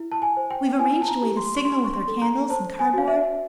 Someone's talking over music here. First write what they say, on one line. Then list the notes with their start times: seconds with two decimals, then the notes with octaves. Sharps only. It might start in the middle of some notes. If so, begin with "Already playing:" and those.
We have arranged a way to signal with our candles and cardboard.
Already playing: E4
0.12 A5
0.22 G#5
0.37 C5
0.51 G5
0.79 E4 G#5
1.01 A5
1.08 A#5
1.22 G4
1.37 C6
1.57 C#6
1.65 D4 C6
1.84 C#6
1.93 C6
2.08 A4
2.22 A#5
2.50 C5 A5
2.79 G#5
2.93 F#4 F5
3.08 E5